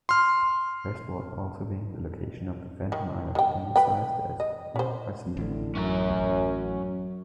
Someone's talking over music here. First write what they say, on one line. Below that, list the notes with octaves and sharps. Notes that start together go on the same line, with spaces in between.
West-ward also being the location of the phantom island, anglicized as, Hy-Brasil.
C6 F6
D#3
D#3 G5
B4 G5
D#5
C#4 C5
A1 A2 D3
F#2 F#3 C#4 F#5 A#5